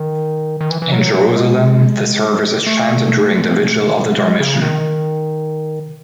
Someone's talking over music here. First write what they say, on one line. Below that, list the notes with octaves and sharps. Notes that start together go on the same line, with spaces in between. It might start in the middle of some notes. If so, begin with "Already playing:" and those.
In Jerusalem, the service is chanted during the Vigil of the Dormition.
Already playing: D#3
D#3
E3
E3
F#3
F#3
G#3
A3
G#3
C#3
D#3